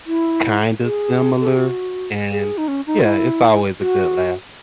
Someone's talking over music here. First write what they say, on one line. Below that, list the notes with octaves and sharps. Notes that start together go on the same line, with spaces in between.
kind of similar, and, yeah, it's always a good laugh,
E4
G#4
A4
G#4
F#4
G#4
D#4
C#4
D#4
F#4
E4
F#4